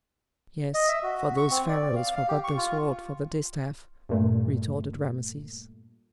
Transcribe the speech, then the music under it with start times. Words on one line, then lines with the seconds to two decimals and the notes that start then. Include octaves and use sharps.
"Yes, for those pharaohs forgot the sword for the distaff," retorted Rameses.
0.74 D#5
0.88 E5
1.03 F#4
1.37 C#6
1.51 C4
1.69 D5
1.96 F5
2.16 F5
2.28 G4
2.44 C#6
2.57 F4
4.09 G2 A#2 A3